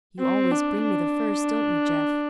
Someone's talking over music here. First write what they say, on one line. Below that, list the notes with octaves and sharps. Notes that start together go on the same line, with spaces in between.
You always bring me the first, don't you, Jeff?
C4
D4
D4